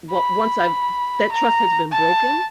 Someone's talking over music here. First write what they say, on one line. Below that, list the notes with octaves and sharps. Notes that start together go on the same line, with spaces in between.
well, once I've that trust has been broken,
B5
A#5
A5